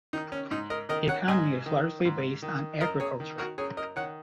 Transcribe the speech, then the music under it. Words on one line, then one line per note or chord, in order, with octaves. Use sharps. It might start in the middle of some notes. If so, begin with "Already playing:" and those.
The economy is largely based on agriculture.
D#3 D#4
C#4
G#2 D#4
A#4 D#5
D#3 A#4 D#5
C#5 F#5
G#2 D#5 G#5
D#3
G#2
D#3
F#2 A#4 D#5
G#4 C#5
D#3
F#4 A#4
F#2 G#4 C#5
A#4 D#5
D#3 C#5 F#5